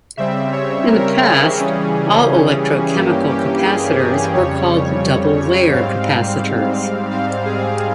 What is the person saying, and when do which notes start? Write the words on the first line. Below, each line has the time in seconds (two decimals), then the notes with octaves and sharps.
In the past, all electrochemical capacitors were called "double-layer capacitors".
0.17 C#3 G3 C4 E5
0.52 C#5
0.87 A#4
1.21 G#4
1.56 C#3 E3 G3 C#4
2.94 G2 E3 A#3 C#4 G4
3.29 G4
3.64 G#4
3.98 G#4
4.33 F2 C#3 G3 C#5
5.72 G#2 G3 C4 F5
7.10 G#2 G3 C4 F5
7.45 G#4